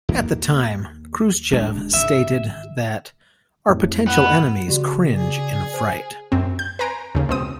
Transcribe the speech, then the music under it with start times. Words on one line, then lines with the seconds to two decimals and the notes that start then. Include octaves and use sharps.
At the time, Khrushchev stated that "our potential enemies cringe in fright".
0.09 D#2 A#3
1.53 D1 G#3 D4
1.94 G#1 C#3 E5
3.69 F2 A2
4.07 B3
4.68 C#3 F#4 G4 D5
5.17 G#4
5.74 C5 G#5
6.32 F#2 C4
6.59 G6
6.79 B4 G#5 A#5 C6 D7
7.15 D#2 C#3
7.29 C#2 B2 C4 D#6